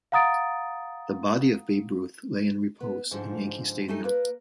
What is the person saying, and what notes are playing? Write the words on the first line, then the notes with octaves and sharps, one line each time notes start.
The body of Babe Ruth lay in repose in Yankee Stadium.
F5 F#5 A#5 D#6 A6 D7
B3
G#2 D3 F3 G#3
G3 A3 D#4 A4 G#5
A#3 B4